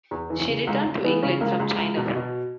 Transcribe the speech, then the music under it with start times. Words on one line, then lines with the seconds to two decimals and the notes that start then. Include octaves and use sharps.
She returned to England from China.
0.11 E2
0.30 E3
0.48 C#3
0.67 C#2
0.85 C#2
1.04 E3 B3
1.23 C#3 C#4
1.40 C#2 A#3
1.60 C#2
1.78 C#2
1.97 B2
2.16 B2